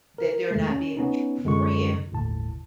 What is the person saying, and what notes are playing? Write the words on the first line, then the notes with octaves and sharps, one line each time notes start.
that they're not being a true friend,
A#4
E2 D#3 G#3 A3
C#4
B3 C#4 D#4
F#2 D3 G#3 F4 C#6
G1 D#2 A2 A5